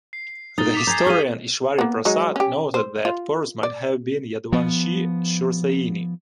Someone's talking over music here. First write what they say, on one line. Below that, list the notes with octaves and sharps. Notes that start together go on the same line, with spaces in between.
The historian, Ishwari Prasad, noted that Porus might have been a Yaduvanshi Shoorsaini.
C7
D#4 D#6 A6 G7
D6 B6 F7
G#5 A#5 G6 G#6 C7
G#4 F5 F6 A6 D#7
A#3 B3
F#3 G#3 D#4
C#4 G4
C5
F4
D5
F3 B3